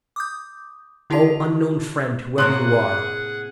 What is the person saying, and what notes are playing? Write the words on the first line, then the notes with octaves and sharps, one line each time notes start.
Oh, unknown friend! whoever you are.
D6 D#6 G6
D3 E4 F#4 G4 A5 F7
A2 C3 A#3 G#4 F#5 C6 F#6